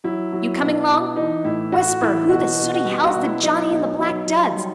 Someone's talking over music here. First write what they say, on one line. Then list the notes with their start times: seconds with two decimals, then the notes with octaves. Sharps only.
You coming long? Whisper, who the sooty hell's the johnny in the black duds?
0.04 F#3 E4
0.33 F#3
0.60 B2
0.88 B2
1.16 E3 D#4
1.44 A2 E4
1.72 A2 F#4
2.01 E3 E4
2.29 B2 F#4
2.58 B2
2.74 F#4
2.85 G3 G4
3.04 F#4
3.14 B2
3.24 E4
3.42 F#3 D#4
3.70 B2
3.99 F#3
4.26 F#3
4.54 G3